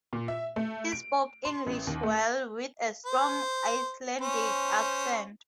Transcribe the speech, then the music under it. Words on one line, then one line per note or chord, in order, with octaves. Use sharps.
He spoke English well, with a strong Icelandic accent.
A#2
E5
A3
D7
C6
A1
D#2
A3
C5
C#4 C5